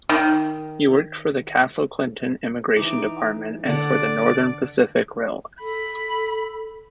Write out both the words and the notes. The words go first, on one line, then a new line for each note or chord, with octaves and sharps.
He worked for the Castle Clinton Immigration Department and for the Northern Pacific Railway.
D#3
E3 D#4 D6
D3 D5 F#5
A4 B5